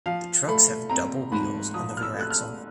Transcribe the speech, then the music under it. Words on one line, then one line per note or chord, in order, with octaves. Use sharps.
The trucks have double wheels on the rear axle.
F3 F5
A3 B5
C4 A#5
G#2 B5
F3 D#6
F6
E6
A3 F#6
F6